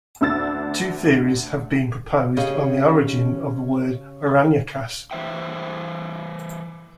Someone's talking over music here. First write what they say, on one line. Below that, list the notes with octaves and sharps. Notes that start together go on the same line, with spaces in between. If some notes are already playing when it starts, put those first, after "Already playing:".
Two theories have been proposed on the origin of the word "Aranyakas".
D2 D4 E6 A6
C#3 C#4 G4 G#4 D#5
E3 C5 E5 G5